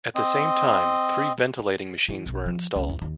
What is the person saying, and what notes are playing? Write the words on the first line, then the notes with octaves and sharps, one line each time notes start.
At the same time, three ventilating machines were installed.
C4 D#5
E3
B1
F3
C#2
E2
D#2